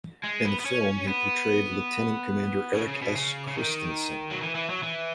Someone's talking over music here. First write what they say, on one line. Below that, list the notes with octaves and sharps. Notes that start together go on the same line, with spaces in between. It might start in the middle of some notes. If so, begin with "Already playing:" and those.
In the film, he portrayed Lieutenant Commander Erik S. Kristensen.
G#3
B3
B3
C#4
B3
C#3
C#3
B2
C#3
C#3
D#3
F#3
E3
E3
F#3
E3